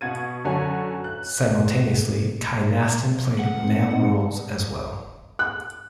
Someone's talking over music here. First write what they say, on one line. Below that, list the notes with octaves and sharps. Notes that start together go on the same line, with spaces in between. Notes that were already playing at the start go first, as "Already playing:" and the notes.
Simultaneously, Kynaston played male roles as well.
B2 F#5 G#6 D#7
F#2 D3 F#4 A4 C#5 G#5
F#6
F#5
D#3 B3 C4
C4 D#4
F#6